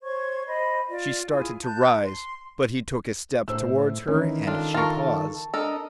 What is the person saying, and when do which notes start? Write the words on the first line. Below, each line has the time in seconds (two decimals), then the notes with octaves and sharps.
She started to rise, but he took a step towards her and she paused.
0.03 C5 C#5 C#6 G#6
0.46 C5 D#5 B5
0.90 F4 D5
1.31 E4 F4 G#4 G#5
1.63 A5 F#6 G6
2.05 C6
3.48 A2 C5 E6
4.08 D#3 E3 C#4
4.47 D#3 D4 F4 A4
4.74 F4 A#4 A5 C#6
5.54 D4 A4 A#4 D#5